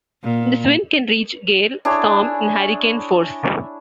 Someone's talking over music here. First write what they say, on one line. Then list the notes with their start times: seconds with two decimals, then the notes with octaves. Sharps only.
This wind can reach gale, storm, and hurricane force.
0.24 A#2
1.85 D4 E4 G#4 C#5